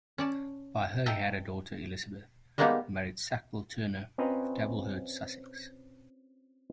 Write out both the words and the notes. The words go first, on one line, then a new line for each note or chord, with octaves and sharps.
By her he had a daughter Elizabeth, who married Sackville Turnor of Tablehurt, Sussex.
C#4 D5 A5
D#5 E5 G5 A5 A#5
G3 G#3 A#3 B3 D#4 G4
C4 C#4 F4 B4 D#5 A#5